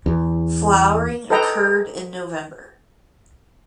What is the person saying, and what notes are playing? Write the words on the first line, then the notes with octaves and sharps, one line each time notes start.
Flowering occurred in November.
E2
A4 B4 D#5 G5 A#5